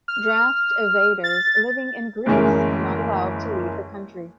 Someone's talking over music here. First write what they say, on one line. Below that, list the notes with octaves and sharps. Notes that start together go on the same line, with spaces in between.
Draft evaders living in Greece are not allowed to leave the country.
F6
A6
F#1 D2 E3 G#3 C#4 A#4